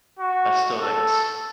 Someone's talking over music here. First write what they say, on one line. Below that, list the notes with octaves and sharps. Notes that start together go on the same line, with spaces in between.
Pastor Ex.
F#4
A4